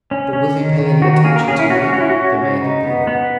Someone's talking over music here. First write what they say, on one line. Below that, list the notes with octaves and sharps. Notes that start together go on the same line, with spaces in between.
"But will he pay any attention to me?" demanded Peter.
C#4
C#4
D#3
D#3
D#3 F#4
F#4
A#3 G#4
A#4
C#4 G#4
E4
C#4 F#4
F#4
C#4 F#4
E4
F#4
C#4
C#3
D#4
B3
B3